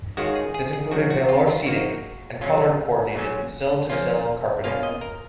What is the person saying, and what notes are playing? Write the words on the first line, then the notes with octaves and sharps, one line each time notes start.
This included velour seating and color coordinated sill to sill carpeting.
D#3 G#3 C#4 F4 F#4
G#4
G#4
G#4
C#3 F3 G#3 F#4
F#4
F4
F4
F3 A#3 D#4 F#4
C#3 F#3 C#4 F4
A#2 F#3 C#4
F3 A#3 C#4 F4
B2 A#3 C#4 F4 F5
D#5
A#4